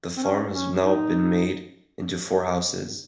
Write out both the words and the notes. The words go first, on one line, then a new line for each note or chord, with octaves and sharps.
The farm has now been made into four houses.
C4
C#4
C#4
D#4